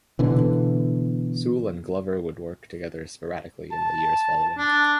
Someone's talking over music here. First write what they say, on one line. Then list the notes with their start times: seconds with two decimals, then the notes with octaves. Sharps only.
Soule and Glover would work together sporadically in the years following.
0.19 B2 D3 E3
3.72 A5
4.58 D4